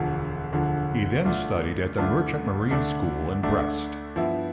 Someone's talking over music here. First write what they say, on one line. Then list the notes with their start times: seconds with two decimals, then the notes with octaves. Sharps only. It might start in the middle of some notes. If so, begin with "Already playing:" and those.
He then studied at the merchant marine school in Brest.
Already playing: E1 D2 D3 F3
0.52 E1 D2 D3 F3
1.25 D2 D3 A3 D4 F4
1.98 D2 D3 A3 D4 F4
2.71 D2 D3 A3 D4
3.43 D2 D3 A3 D4
4.16 G2 F3 B3 E4